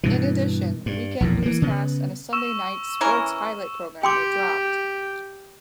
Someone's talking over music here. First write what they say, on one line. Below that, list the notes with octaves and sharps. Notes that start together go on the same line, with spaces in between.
In addition, weekend newscasts and a Sunday night sports highlight program were dropped.
G2 B2 E3
G2
A#1 E2 A2
E3 A#3
C#3 B3
C#6 E6 E7
E3 C#4 A#4
G4 G5 C6 D6